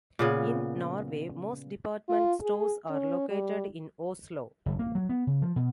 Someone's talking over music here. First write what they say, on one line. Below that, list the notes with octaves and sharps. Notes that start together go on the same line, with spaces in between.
In Norway, most department stores are located in Oslo.
A#2 C#3 B3
F4
G#4
C#4
G3
F#1
A#3
F#3
B3
C#3
F3
B2